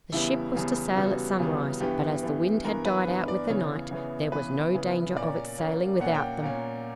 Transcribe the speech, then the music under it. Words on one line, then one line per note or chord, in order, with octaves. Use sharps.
The ship was to sail at sunrise, but as the wind had died out with the night, there was no danger of its sailing without them.
E2 C#3 G3 B3 E4
E2 C#3 G3 B3
E2 C#3 G3 B3 F#4
E2 C#3 G3 B3
G2 E3 B3 G4
G2 E3 B3
G2 E3 B3 A#4
B4
G2 E3 B3
D5
C#3 E3 B3 C#5
C#3 E3 B3
C#3 E3 B3 B4
C#3 E3 B3
A#2 A#3 C#4 D5
A#2 A#3 C#4
A#2 A#3 C#4 F#5
G5
A#2 A#3 C#4